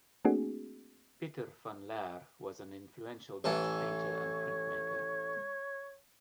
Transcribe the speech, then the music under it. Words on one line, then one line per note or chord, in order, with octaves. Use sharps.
Pieter van Laer was an influential Dutch painter and printmaker.
A3 A#3 C4 D4 F#4 G#4
A1 E3 A4 C#5